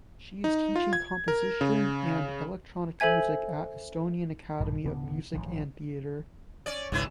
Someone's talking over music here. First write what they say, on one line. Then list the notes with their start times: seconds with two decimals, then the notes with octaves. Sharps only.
She is teaching composition and electronic music at Estonian Academy of Music and Theatre.
0.44 D#4
0.76 F4
0.93 G#6
1.28 A#4
1.61 C#3
3.00 A4 C5 E5 G#5 G#6
4.60 A#1 G2 B2
4.84 D1 C#3 B3 D4
5.33 A1 G2 D#3 F3
6.66 C#4 D5
6.92 G#1 C#2 G#2 C#3 E4 B4